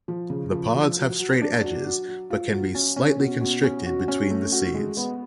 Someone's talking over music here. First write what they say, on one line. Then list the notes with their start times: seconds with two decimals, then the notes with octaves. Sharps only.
The pods have straight edges but can be slightly constricted between the seeds.
0.08 F3
0.30 C#3
0.53 F3
0.75 F3
0.97 F#3
1.19 F#3
1.42 D4
1.63 F#3
1.86 F#3
2.08 F#3
2.30 F4
2.52 F#3
2.75 C#4
2.96 C#4
3.19 B2
3.41 B2
3.64 C#4
3.86 F#4
4.08 C#4
4.30 A3
4.52 F#4
4.74 G#3
4.97 B3